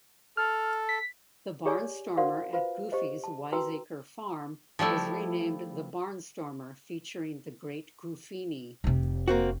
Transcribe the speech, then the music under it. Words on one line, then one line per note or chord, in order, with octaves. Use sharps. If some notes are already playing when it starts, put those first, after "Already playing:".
The Barnstormer at Goofy's Wiseacre Farm was renamed The Barnstormer featuring the Great Goofini.
A4 F6
B6
G4 G#4 C#5 D5 G#5
F#4 A#4 C5 D5 F5 F#5
F4 B4 C5 F5
G4 C5 D#5
A5
D#4 F#4 B4 G5 A#5 E6
F3 G3 A3 E4
F1 C3
A#3 C4 F#4